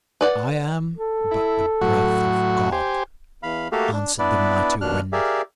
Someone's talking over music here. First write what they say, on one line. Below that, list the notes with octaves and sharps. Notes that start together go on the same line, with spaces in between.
'I am but the breath of God!' answered the mighty WIND.
B4 D5 F#5
A4
E4
A2 F#3 F#4
G4 C5 G#5
E2 F5 B5
A3 A#3 F#4 G4 A4 F5
D4
B3 D4 E4 B4 D5
D#2 B2 D4 F6 F#6
G4 G#4 A#4 D5 E5 F5